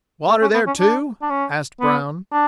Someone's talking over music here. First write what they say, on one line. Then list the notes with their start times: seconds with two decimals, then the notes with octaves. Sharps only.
"Water there, too?" asked Brown.
0.28 A3
0.42 C#4
0.54 B3
0.67 C#4
0.80 D4
1.22 D4
1.30 C#4
1.80 B3
2.32 D4